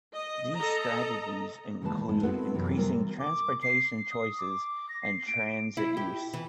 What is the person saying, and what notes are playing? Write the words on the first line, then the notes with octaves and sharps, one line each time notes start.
These strategies include increasing transportation choices and transit use.
D#5
A4 D#5 A#5
D#2 C#3 E3 G#3 B4 A5
G#3 B3 E4
B3 C4 E4 F#4 A4 B4
F#2 C3 E3 F#3
C3 E3 G3 B3 A#4 C5
D6
C7
D#6
D6
A#6
C7
D7
E4
G4
E3